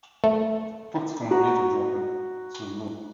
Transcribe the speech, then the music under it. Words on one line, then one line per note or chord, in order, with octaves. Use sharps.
Foxconn later dropped the lawsuit.
A3
F#4 A#5